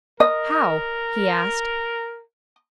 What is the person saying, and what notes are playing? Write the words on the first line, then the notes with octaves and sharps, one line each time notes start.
"How?" he asked.
A#4 D#5